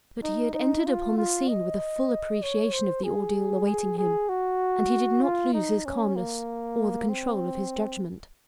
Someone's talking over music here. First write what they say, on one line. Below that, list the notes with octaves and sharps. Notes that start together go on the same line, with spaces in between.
But he had entered upon the scene with a full appreciation of the ordeal awaiting him and he did not lose his calmness, or the control of his judgment.
D#4
D#4
F4
F4
D#5
C#5
C5
G#4
G#4
G#4
F#4
F4
D#4
C#4
A#3
C4